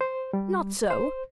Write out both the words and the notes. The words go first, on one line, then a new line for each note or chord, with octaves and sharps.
"Not so."
C5
G3
C5